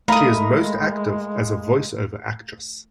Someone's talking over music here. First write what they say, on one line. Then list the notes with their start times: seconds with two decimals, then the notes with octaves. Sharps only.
She is most active as a voice-over actress.
0.08 G#3 A3 A#4 F5 A#5 B5 D#6